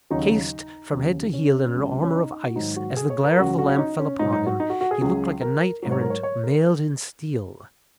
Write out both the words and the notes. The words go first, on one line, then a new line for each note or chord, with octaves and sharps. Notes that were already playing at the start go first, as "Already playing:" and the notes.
Cased from head to heel in an armor of ice, as the glare of the lamp fell upon him, he looked like a knight-errant mailed in steel.
D#2 C#3 F#3 D#4
D#4
D#2 C#3 F#3
C#4
C#2 C#3 F#3
C#4
D#4
F#4
G#2 D#3 F#3 D#4
F#4
G#4
C#5
A#4
C#2 C#3 F#3 F#4
F#4
C#4
D#4
C#4
G#2 F#3 D#4
D#4
F#4
D#4
F#4
F#4
G#4
C#2 C#3 F#3
A#4
G#2 F#3
C#5
A#4
C#5
C#5
A#4